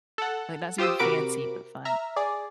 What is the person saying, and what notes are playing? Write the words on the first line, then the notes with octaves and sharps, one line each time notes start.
like, not super fancy, but fun.
A4 F#5
F4 G4 C5 D#6 E6
C3 F#4 A#4 B5 D6 D7
E5 A#5 F6
G#4 D5